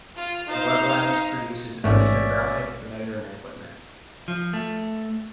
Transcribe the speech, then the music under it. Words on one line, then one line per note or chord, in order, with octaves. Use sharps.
Wet Labs produces oceanographic measuring equipment.
F4
D#4 C5 F5
A1 G#2 A3 C#4 D5 E5
F3
A3